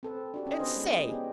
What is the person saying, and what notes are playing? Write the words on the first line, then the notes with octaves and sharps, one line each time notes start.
And say!
C4 A4 B4
D4 F#4 G4
C#4 D#5
B3 D4 D#4 B4 C5 D#5
G#3
B3 C#4 D4 G4 G#4